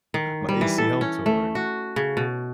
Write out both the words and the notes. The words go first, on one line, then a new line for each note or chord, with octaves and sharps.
my ACL tore,"
D#3
G3
E3
A4
C#4
A3
F#4
C#3
B2